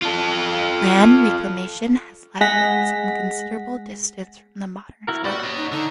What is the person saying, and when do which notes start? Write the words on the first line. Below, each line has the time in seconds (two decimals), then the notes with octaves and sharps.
Land reclamation has left it some considerable distance from the modern shoreline.
0.02 F4 A4
2.41 G#3 G#4 F#5 A#6 B6
5.07 E4 F#4 A#4
5.24 F#4 G4 D5 B5
5.40 C#5 D#5 F#5
5.57 D#4
5.72 D3 D#4